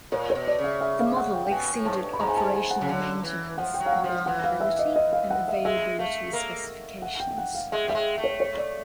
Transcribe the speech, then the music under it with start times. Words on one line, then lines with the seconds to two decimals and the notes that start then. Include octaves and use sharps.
The model exceeded operational maintenance, reliability, and availability specifications.
0.12 A#2 C#5
0.30 C#5
0.35 B2
0.48 D5
0.58 C#3
0.64 E5
0.81 E5
0.99 F5
1.17 F#5
1.34 G5
1.46 G5
1.51 B2 G#5
1.73 A2
1.85 G#2 A5
1.96 G2
2.13 B5
2.20 G#2 A#5
2.28 G#5
2.37 A5
2.54 G#5
2.71 F#5
2.81 C#3
2.89 D3
3.23 E3
3.58 F3 F#5
3.74 G5
3.80 F#3
3.86 F5
3.92 F#5
4.04 F3
4.09 F5
4.26 E3 F#5
4.44 F5
4.60 E5
4.79 D#5
4.96 D#5
5.13 F5
5.30 F#5
5.48 E5
5.65 G#3 E5
5.99 A3 F5
6.33 A#3
7.02 F#5
7.20 G5
7.31 G5
7.38 F#5
7.55 F5
7.72 G#3 E5
7.88 G3 E5
7.95 G#3
8.18 A3
8.24 C#5
8.40 C#5
8.57 D5